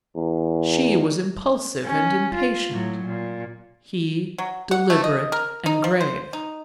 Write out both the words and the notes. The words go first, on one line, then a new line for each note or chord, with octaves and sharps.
She Was impulsive and impatient, he deliberate and grave.
E2
C#4
F4
A2 F#3
A#2
F#3
F#5
A3
D#5
A#4
D#4
F3
C5
D#4